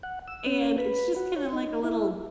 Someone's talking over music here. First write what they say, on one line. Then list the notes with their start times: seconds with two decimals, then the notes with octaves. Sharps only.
and it's just kinda like a little,
0.03 F#5
0.28 E6
0.46 C#4
0.78 B4
1.16 F#4
1.36 C#5
1.53 D#4
1.84 E4